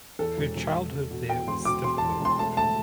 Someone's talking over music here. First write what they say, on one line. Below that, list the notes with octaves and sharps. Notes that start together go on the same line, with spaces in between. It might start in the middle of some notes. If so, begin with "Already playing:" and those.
Her childhood there was difficult.
E2 A4
E1
E1
E1
E1
B2
B2 G5
E1 C6
B2 D6
E1 C6
A5
E2
E1 C6
A3 A5
A3 A5